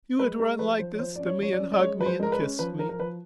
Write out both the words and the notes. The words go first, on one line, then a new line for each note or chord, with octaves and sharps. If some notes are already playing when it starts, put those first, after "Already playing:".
You would run like this to me and hug me and kiss me.
G#3 B4
G#3 A#4
F3 B4
F3 C5
C#5
F3 C5
C#4 D5
C#5
F3 C#5
D5
C#4
D5
G#3 C#5
F3 B4
C5
G#3 A#4
B4
C#4
F3 B4
F3 A#4
A#4
F3 B4